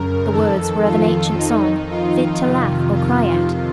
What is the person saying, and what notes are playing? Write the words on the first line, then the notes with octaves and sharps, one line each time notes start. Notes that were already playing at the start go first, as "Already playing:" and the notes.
The words were of an ancient song, fit to laugh or cry at.
Already playing: F#2 C#3 A#4
F2 D#3 A4
F4
F2 D#3 D#4
F4
F2 C3 D#3
F4